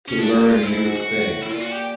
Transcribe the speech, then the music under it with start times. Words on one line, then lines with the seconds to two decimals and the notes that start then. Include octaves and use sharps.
to learn new things
0.08 C#4
0.19 G2 D4
0.30 F#4
0.41 G4
0.52 F4
0.62 G#2 E4
0.74 E4
0.85 F#4
0.95 F#4
1.07 A2
1.42 E4
1.51 A#2 F4
1.61 F#4
1.72 G4